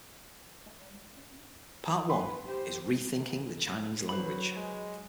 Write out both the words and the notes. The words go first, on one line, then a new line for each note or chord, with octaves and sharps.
Part One is Rethinking The Chinese Language.
B4 B5 C6
G4 C5
F#3 B4 C5 B5
G#3